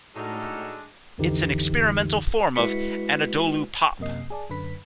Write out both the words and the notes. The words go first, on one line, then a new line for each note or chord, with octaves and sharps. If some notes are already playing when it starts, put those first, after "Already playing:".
It's an experimental form of "Anadolu Pop".
A2 G#3 D4 D#4 F#4 A4 F6
B1 F2 D3 E3 D#4 G4
G#3 E4 F#4 B4 B6 C#7
F#2 C3 A#3 D#5 C7
G#4 D5 A5
F#2 D3 B4 B6